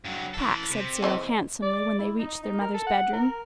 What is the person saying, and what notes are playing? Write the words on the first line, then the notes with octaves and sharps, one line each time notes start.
'Pax,' said Cyril handsomely when they reached their mother's bedroom.
G2 F#3
E3 A4
C3
E3 C4 D#5
D5
E4
D#4
D#4
A#4
A4
F#5
A#4